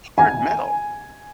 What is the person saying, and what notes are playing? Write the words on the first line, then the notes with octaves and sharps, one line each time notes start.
hard metal.
G#5